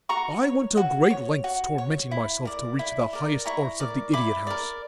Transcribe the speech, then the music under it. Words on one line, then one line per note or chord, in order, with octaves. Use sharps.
I went to great lengths tormenting myself to reach the highest arts of the idiot house.
F#4 A#5 C#6
C#5
F#4
C#5
F#4
C#5
E4
A#4 D5
E4
A#4 D5
E4 A#5 C#6
A#4 D5
E4 B5 D6
A#4 D5